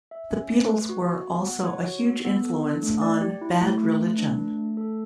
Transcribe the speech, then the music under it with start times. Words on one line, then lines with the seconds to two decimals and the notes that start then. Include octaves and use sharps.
The Beatles were also a huge influence on Bad Religion.
0.11 E5
0.31 C#4
0.49 A3
0.69 B4
0.89 F#4
1.08 F#4
1.28 B3
1.47 F#5
1.66 C#5
1.85 F#4
2.06 B3
2.24 B3
2.44 A4
2.63 D4
2.82 A3
3.01 D5
3.21 G4
3.41 E4
3.61 A3
3.80 A3
4.00 B4
4.18 D4
4.38 A3
4.57 A3
4.77 A4